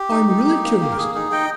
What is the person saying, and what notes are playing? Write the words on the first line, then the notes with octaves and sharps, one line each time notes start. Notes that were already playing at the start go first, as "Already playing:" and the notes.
I'm really curious.
Already playing: G4
D#4
D#4
D#4
A#3
A#3
A#4
A#3 G#4
D#4 G#4
D#4 D#5 G5